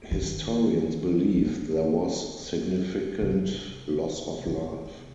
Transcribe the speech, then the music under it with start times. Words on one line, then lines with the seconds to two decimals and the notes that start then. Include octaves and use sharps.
Historians believe there was significant loss of life.
0.11 D#3
1.36 D3
3.21 C3
4.46 C3